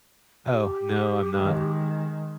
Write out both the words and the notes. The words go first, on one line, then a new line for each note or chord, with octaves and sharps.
Oh, no, I'm not.
G4
D#3 G#3